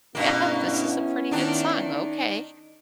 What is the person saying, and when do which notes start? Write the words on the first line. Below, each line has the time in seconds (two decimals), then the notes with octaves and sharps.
yeah, this is a pretty good song. Okay,
0.15 G2 B2 A#3 B3 C#4 E4
1.31 D#3 D4 D#4